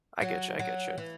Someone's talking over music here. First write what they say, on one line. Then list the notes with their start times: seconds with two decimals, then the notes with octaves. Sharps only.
I get you, I get you.
0.22 F#3
0.59 F#3
0.98 E3